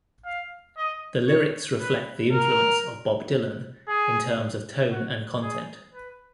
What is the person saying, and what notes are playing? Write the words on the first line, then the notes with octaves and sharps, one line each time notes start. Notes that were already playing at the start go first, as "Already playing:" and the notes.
The lyrics reflect the influence of Bob Dylan, in terms of tone and content.
F5
D#5
C#5
B4
A#4
G#4
F#4
G#4
B4